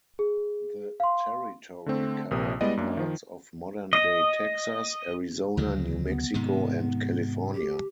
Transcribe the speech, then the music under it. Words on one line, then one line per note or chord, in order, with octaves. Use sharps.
The territory covered parts of modern-day Texas, Arizona, New Mexico, and California.
G#4
F5 C6
D3 A3 C4
A#1 C3 A#4 D#6
G3 G#3 B3 E4 D5 D#5
F#2 A#3 D4
D#3 F3
D#5
D2 C#3 F#3
B3
G#2 C3 D#3
G4